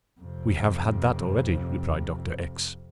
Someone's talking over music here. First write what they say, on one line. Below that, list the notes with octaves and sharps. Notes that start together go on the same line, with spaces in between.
"We have had that already," replied Dr. X----.
F2 C3